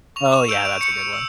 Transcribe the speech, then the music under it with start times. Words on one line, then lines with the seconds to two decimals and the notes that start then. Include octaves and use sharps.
Oh, yeah, that's a good one.
0.16 C#6 F7
0.32 E7
0.48 E6 G6 D7
0.65 D7
0.81 C#6 C#7
1.13 E6